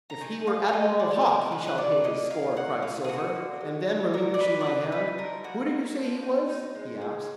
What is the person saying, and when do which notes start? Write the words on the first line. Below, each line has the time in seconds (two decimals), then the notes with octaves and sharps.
"If he were Admiral Hawke he shall pay his score," cried Silver; and then, relinquishing my hand, "Who did you say he was?" he asked.
0.10 A#5
0.20 D#3 G#5
0.47 G#3 F5
0.68 F5
0.73 G#3 D#5
0.99 D#3 D5
1.21 G#4
1.25 G#3 A#4
1.51 D4 B4
1.67 B4
1.78 F#3 D5
2.04 A#3 D#5
2.30 F#3 F5
2.56 A#3 F#5
2.82 B2 F5
3.04 G#4
3.09 A#3 F#4
3.35 D3
3.61 G#3
3.88 D3
4.14 D3 A#4
4.34 D5
4.40 D4 B4
4.61 D5
4.66 D3 B4
4.92 D#4 B4
5.18 F3 A#4
5.44 A#3 F#4
5.71 A#3
5.97 F3
6.22 D#4
6.49 D#4
6.75 G#3
7.01 G#3